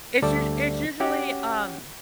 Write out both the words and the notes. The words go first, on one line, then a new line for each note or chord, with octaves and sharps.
it's usu it's usually, um,
D2 G3 A4 D5 A5
C#4 F#4 G4 F#5